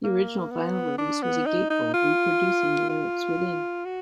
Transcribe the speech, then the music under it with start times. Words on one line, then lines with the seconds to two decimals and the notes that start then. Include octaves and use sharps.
The original vinyl release was a gatefold, reproducing the lyrics within.
0.04 A#3
0.51 B3
0.98 D4
1.22 B3
1.46 D#4
1.70 D#4
1.94 F4
2.89 F4
3.85 F#4